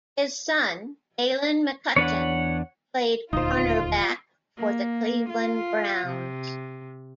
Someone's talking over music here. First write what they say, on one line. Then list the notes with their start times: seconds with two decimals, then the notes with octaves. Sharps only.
His son Daylon McCutcheon played cornerback for the Cleveland Browns.
1.96 E2 D4 B4 C#5 F#5
3.33 D#1 D2 A#2 D#4 F4 C5
4.57 A#3
5.29 F4
6.07 C3